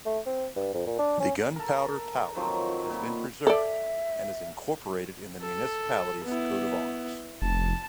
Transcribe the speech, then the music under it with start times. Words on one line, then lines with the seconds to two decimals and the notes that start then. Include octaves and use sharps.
The Gunpowder Tower has been preserved, and is incorporated in the municipality's coat-of-arms.
0.06 A3
0.26 C4
0.56 G2
0.74 F2
0.87 A#2
0.99 D4
1.20 C#4
1.56 A4 A#4
2.35 D#3 F3 F#3 C4
2.68 F#3
2.90 A#2 G5 B5
3.47 A4 D5 E5
5.41 A4
6.24 B3 E4
7.42 F1 A5